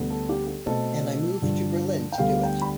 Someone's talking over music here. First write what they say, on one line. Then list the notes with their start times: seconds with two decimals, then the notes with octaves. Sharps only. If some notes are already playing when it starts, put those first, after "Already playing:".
And I moved to Berlin to do it.
Already playing: D2 D3 G3 B3
0.10 A4
0.29 G4
0.47 G4
0.66 B2 A3 C4 A4
1.42 G2 D3 F3
2.12 G5
2.18 D2 D3 G3 B3 F5
2.43 G5
2.62 B5